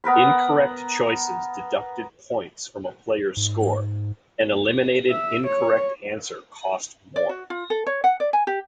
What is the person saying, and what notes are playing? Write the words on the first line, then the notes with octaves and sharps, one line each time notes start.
Incorrect choices deducted points from a player's score; an eliminated incorrect answer cost more.
B3 A#4 B4 B5
G#2
E5
C#5
D5
F#4
F4
A4
C#5
F#5
D5
G#5
G4